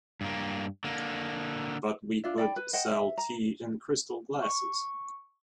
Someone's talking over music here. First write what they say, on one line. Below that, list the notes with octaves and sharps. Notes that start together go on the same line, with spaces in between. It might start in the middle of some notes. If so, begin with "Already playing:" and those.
But we could sell tea in crystal glasses.
G2 A#3
D3 A#3
D4 F4 E5
D5 G5 B5
B4
C5 D#5 F#5 G5
E5
A#5
C#6